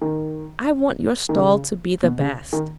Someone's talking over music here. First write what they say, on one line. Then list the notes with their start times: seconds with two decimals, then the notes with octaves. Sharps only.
'I want your stall to be the best.'
0.01 D#3
1.29 D#3
1.36 C#3
2.03 B2
2.19 C#3
2.53 D#3